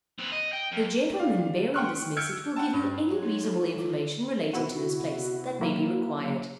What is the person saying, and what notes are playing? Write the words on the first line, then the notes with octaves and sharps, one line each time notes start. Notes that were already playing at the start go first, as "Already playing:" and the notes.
The gentlemen bearing this message will give you any reasonable information relating to this place, that may be required.
C4 B4
D#5
G5
F2
D5 F5
F#5 G5 C6 C#6 F6 F#6
E6 F6 G6 G#6 C#7 D7
F#5 G5 A5
G2
F#3 G#3
D#4
A3
F4
C3 B3 E4 F#4
F#3 A#3 E4 A#4